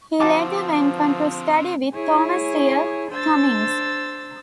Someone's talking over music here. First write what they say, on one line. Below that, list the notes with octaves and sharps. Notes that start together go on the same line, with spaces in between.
He later went on to study with Thomas Seir Cummings.
D3 F3 C4 F#4 A5 D6
E4 G#4 C#5 G#5
D4 C5 E6 A6